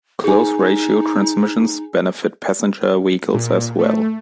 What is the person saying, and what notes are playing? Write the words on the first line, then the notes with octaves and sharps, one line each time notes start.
Close-ratio transmissions benefit passenger vehicles as well.
D#4 G#4 G#5
A#2
A3